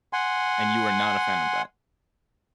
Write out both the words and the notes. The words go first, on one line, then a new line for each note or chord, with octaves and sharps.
And you were not a fan of that.
F#5 G#5 C6